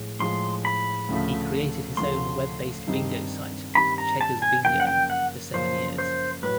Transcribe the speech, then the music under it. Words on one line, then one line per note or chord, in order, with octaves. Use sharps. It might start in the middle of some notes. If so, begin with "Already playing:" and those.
He created his own web based bingo site 'Cheggersbingo' for seven years.
Already playing: A2 F3 G#3
A2 F3 G#3 C6
B5
D2 C#3 F3 A3
D2 C#3 F3 A3 C6
G2 D#3 G3 C4 D#4
G2 D#3 G3 C4 D#4 B5
A#5
A5
G#5
F#2 C#3 F3 A#3 G5
F#5
G5
F#5
F#2 C#3 F3 A#3 C5
C5
A2 F#3 B4